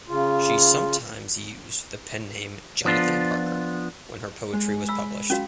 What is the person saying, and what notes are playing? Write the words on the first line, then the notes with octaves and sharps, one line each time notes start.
She sometimes used the pen name "Jonathan Parker" when her poetry was published.
C#3 F4
F3 B3 D4 F4
G#3
B5 E6
C#4 F#4 F5